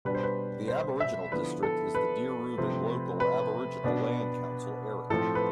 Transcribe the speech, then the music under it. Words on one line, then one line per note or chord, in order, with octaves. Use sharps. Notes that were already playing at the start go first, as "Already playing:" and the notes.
The Aboriginal district is the Deerubbin Local Aboriginal Land Council Area.
B2 G3 D4 B4
C5
B4
C5
E5
D3 F3 B3 E4 B4
A4
B4
C3 F3 A3 C4
B4
B2 B3 D4
A2 F3 C4 A4
B4